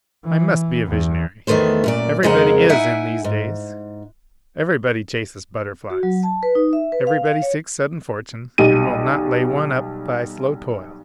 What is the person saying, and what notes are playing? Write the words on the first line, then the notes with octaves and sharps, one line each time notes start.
I must be a visionary; everybody is in these days; everybody chases butterflies: everybody seeks sudden fortune and will not lay one up by slow toil.
E3
E2
E2 D#3 A3 B3 C5
F#2 A#2 D5
F2 C#3 G#3 C4 A#4 F#5
D#4 E4 E5 F#5 G#5
G#2
F#4
F#3
A5
B4
D#4
E5
B4
F5
F5
C#5
B1 G3 D#7